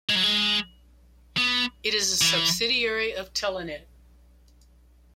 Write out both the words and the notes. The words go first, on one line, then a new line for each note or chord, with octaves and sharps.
It is a subsidiary of Telenet.
G#3
F#3
G#3
B3
E3